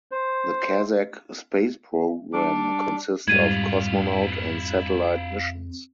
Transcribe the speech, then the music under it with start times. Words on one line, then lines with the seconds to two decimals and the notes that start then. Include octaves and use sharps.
The Kazakh space program consist of cosmonaut and satellite missions.
0.11 C5
2.33 G3 D4 D6
3.28 F2 G#2 G3 E4 F4 G#6 D#7